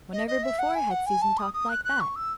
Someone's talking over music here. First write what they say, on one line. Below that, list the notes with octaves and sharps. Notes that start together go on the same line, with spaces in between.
Whenever before had Susan talked like that?
D#5
D#5
E5
F#5
G#5
F#5
G#5
A5
D#6
D#6
F#6
F#6
C#6
E6